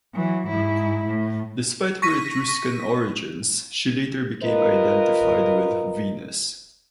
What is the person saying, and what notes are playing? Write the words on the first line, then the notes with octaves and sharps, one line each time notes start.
Despite her Etruscan origins, she later became identified with Venus.
E3 F#3
G#2 E4
A2
C#6 A#6 B6 D#7
F4 A#4 B4 D#5